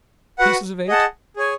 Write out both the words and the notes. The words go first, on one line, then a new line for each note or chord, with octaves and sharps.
Pieces of eight!
F#4 B4 F#5
G#4 D#5 F#5 A5
G#4 C#5 G#5